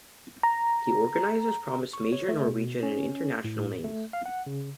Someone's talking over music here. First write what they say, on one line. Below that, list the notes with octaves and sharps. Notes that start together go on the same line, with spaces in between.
The organizers promise major Norwegian and International names.
A#5
C#6
C#5
A3
B2
C#4
A2
A3
F5
F#5
C#3